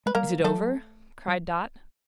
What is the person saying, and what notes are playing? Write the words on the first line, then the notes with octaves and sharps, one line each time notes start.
"Is it over?" cried Dot.
G#3 B4
G3 A#3 A#4
F3
F#3 A3 A4
F#3